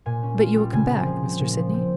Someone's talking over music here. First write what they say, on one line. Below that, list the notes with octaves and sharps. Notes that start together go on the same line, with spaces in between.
"But you will come back, Mr. Sydney?"
A#2 G#5
C#4
F4
G3
C#3 G#5
C4
F3
C4
A#2
F3
C4